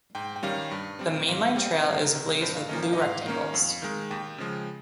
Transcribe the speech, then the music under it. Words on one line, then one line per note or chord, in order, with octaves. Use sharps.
The mainline trail is blazed with blue rectangles.
G#2 G5
G5
D#3 G3 C#4 F5
G2
G3 C4
G#2 F5
F5
G3 C4
D#5
C#2 A#4
C5
A#4
C3 D#3
G2 C5
F5
F3 A#3 C#4 D#5
F5
D#5
G#2 F5
D#3 A#3 C#4
F2
D#3 G#3
D#2 G5
C#3 F3 G#3